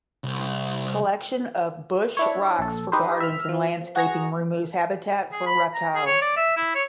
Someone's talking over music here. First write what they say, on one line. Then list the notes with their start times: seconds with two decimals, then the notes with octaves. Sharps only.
Collection of bush rocks for gardens and landscaping removes habitat for reptiles.
0.24 C2
2.17 D4 E4 C#5
2.59 A#1 A4
2.92 D#4 G4 B4 C5
3.20 E5 F6
3.49 F3
3.96 F#4 G#4 A#5 C#6
5.32 G#4
5.46 B5
5.74 A#5
5.95 G#4
6.07 C#5
6.22 D5
6.37 E5
6.57 E4
6.75 C#5